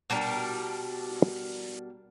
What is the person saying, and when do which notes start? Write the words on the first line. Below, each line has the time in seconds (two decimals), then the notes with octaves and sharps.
She’s laughing at me because i have soap on my face.
0.10 B2 G3 D4 A#4